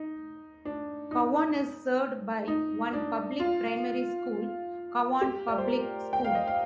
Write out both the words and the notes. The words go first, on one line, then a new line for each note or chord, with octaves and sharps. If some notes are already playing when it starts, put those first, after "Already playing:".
Cowan is served by one public primary school, Cowan Public School.
Already playing: D#4
D4
D#4
D#4
D4
F4
G4
D5
C5
A#4
G5
F5
D#5
F5